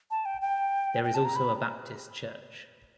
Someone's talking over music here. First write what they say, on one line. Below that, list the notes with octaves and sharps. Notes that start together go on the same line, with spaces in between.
There is also a Baptist church.
A5
G5
G5
G5
A5
A#5
B5